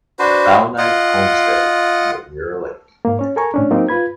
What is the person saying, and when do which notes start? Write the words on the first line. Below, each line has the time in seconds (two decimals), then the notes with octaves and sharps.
Bouknight, homesteaded near Mirror Lake.
0.19 D4 F#4 B4 C5
0.78 F4 D#5 F#5
3.05 G#2 A#3
3.19 C#4 C#5
3.36 A4 A#4 G#5 A#5 C#6
3.54 A2 C#4 D4
3.71 F#3 A#3 C4 D#4
3.89 F4 B4 B5 G#6